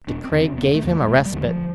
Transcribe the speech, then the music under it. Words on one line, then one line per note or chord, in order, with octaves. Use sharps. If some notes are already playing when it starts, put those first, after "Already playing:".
De Craye gave him a respite.
E1 D4
C4
E2 D3 D4
C4
E1 B3
A3
E2 D3
A3
G3
E1 A3
G3
E2 D3 E3
F3